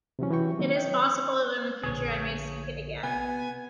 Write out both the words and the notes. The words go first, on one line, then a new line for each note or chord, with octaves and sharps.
It is possible that in the future I may seek it again.
C3 E3 F#3 C#4
E3 F#4 G5 C#6
D#3 F#3 A#3 C4
D#5 G5
A#1 A#2 D3 G#4 C#5
C3 B3 G#5